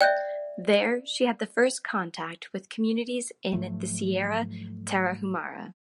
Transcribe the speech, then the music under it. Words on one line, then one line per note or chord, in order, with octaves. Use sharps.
There she had the first contact with communities in the Sierra Tarahumara.
D5 E5 G5 F#6 G6
G#2 F3 F#3 A3